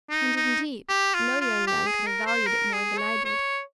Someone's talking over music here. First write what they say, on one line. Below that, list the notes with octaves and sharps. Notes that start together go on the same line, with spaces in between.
And, indeed, no young man could have valued it more than I did.
D#4
D#4
G4
F4
F4
G4
G#4
A#4
C5
A#4
G#4
C#5
C#5